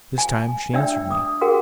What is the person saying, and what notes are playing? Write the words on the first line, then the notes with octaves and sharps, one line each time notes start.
This time she answered me.
G#5 A5
D4 D5 E5 G5 E6
D6 D#6
F#4 G#4 A#4 F#5 G5